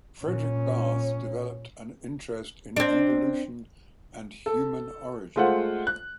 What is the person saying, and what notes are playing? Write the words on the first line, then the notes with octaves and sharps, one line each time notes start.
Fredrik Barth developed an interest in evolution and human origins.
A#2 C#4
C4 D4
A4
G#3 A3 F4 C5 F#5
F#6